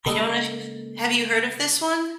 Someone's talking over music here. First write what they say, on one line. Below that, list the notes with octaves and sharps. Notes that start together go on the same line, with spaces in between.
I don't know if you've have you heard of this one?
C#3 G#3 A#3 A4 B4 D#5